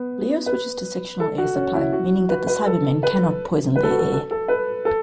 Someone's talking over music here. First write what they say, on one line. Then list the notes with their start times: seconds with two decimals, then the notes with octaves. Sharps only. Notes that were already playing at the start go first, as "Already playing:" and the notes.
Leo switches to sectional air supply, meaning that the Cybermen cannot poison their air.
Already playing: B3
0.46 B4
1.20 A4
1.38 F#4
1.56 C#4
1.74 E4
1.93 F#4
2.29 B4
2.47 B4
2.66 A4
3.03 B4
3.76 B4
3.83 A4
3.90 F#4
3.99 A4
4.13 A4
4.31 A4
4.48 B4
4.85 A4